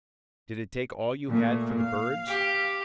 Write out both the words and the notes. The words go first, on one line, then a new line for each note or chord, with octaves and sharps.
"Did it take all you had for the birds?"
A#2 A3
F5
G4